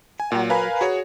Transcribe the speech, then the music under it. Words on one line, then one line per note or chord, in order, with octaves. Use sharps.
I mean,
G#5
A#2
A#4 B4 F5 G#5 A#5 B5
F#4 G#4 C#5